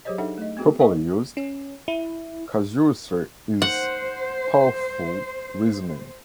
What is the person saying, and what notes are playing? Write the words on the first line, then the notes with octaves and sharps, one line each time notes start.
Properly used, casuistry is powerful reasoning.
F#3 G4 G#4 C5 C#5 D#5
D4 D#4 A4 E5 F#5
A3 D#5
B3 C4 F#4 G#4
G#4 C#5 D#5 C#6
C#4
E4
C5 F#5